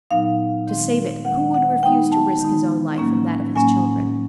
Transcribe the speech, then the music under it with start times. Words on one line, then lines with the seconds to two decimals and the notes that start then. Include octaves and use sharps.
To save it who would refuse to risk his own life and that of his children?
0.11 A#2 F#3 B3 D#4 F5
0.67 D#3 G#3 C4
1.25 D#3 G#3 C4 F#5
1.54 F#5
1.83 D#3 G#3 B3 D#4 G5
2.12 A5
2.41 D#3 G#3 B3 D#4
2.98 A2 F#3 A#3 C#4
3.56 A2 F#3 A#3 C#4 G#5